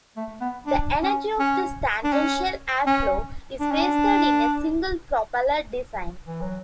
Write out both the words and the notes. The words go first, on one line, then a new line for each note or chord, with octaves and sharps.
The energy of this tangential air flow is wasted in a single-propeller design.
A3
B3
D4
C#4
C#4
D4
C#4
C#4
D4
C#4
D4
E3
F#3